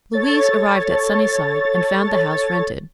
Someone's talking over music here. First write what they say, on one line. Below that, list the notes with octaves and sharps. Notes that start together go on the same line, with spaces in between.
Louise arrived at Sunnyside and found the house rented.
A4 C#5 A6